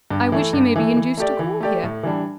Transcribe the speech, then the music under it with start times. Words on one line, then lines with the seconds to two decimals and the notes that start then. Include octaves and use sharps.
I wish he may be induced to call here.
0.10 G2
0.32 E3 A3
0.53 G2
0.76 E3 A3
0.97 E3
1.17 A3 G4 D5
1.39 E3
1.60 A3 G4 D5
1.83 A2
2.03 E3 G3 D4